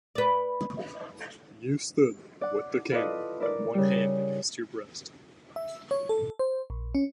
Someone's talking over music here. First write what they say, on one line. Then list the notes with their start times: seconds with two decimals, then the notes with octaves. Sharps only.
You stood with the candle and one hand against your breast.
0.15 B4 D5
2.41 D5 F#5
2.92 E4 F4 A4 B4 D5 D#5
3.40 E4 A#4 D5
3.74 C#3 G3
5.56 E5
5.91 C#5
6.09 A4
6.39 C5
6.70 A#1
6.95 C#4